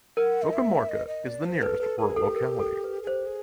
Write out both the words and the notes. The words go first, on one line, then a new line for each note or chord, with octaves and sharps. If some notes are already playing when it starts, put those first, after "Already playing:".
Mukhomorka is the nearest rural locality.
A#4 F#5
D#5
E5
D#5
D#5
D5
C5
A4 B4
A4 B4
G#4 A#4
G4 A4
A#4
A4
B4
G#4
G4 C5
G#4